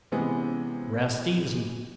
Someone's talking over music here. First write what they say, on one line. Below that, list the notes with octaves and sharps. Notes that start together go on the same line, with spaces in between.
"Rest easy."
C3 E3 G#3 B3 C#4